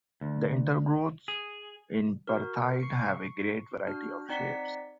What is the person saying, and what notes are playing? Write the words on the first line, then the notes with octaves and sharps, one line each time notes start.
The intergrowths in perthite have a great variety of shapes.
D2
G#4
F#4 A#4
C#6 C7 C#7
D4 F#4 F6
C4 D#4 D5 F#5 B6